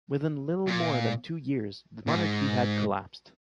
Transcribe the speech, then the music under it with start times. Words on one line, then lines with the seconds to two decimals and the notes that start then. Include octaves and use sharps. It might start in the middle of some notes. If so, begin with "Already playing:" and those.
Within little more than two years the monarchy had collapsed.
0.67 A#2
2.07 A#2
2.15 G#2